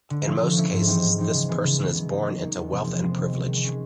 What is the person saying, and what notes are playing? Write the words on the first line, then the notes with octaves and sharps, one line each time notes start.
In most cases, this person is born into wealth and privilege.
D3
F3 A3 C#4 E4
D3
F3 A3 C#4 E4
G#2
E3 G3 C4 D#4
G#2
E3 G3 C4 D#4
C#3
E3 G#3 B3
C#3
E3 G#3 B3
F#3
A#3 D#4
F#3
A#3 D#4
E2
C3 F3 G#3 C4
E2
C3 F3 G#3 C4
D#3
G#3 C#4
D#3
G#3 C#4